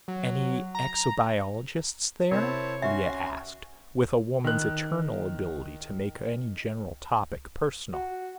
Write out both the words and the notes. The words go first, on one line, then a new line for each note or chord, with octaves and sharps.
"Any exobiologists there?" Lea asked, with a woman's eternal ability to make any general topic personal.
F#3
A#5
C3 E4 A#4 C5 C#5 A5
C#4 F#4 E5 C6
D#3 F#6
F#4